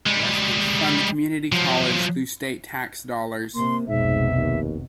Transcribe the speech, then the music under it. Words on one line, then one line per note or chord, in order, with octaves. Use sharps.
Residents fund the community college through state tax dollars.
G3 G#3
F3 F#3
C3 A#3 C6
F1 B1 G#2 B2 E5
D#2